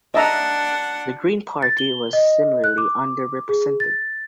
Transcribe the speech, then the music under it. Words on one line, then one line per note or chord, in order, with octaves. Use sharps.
The Green Party was similarly under-represented.
D4 D#5 E5 F#5 A#5
A6
G7
D#5
F#6
D6
G#4
A6